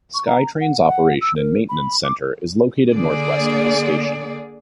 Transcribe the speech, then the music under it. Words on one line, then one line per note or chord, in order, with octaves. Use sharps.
SkyTrain's operation and maintenance centre is located northwest of this station.
C#6
A#5
F#5
F#5
E6
A#4
B5
D6
D3 A#3 G#4 D5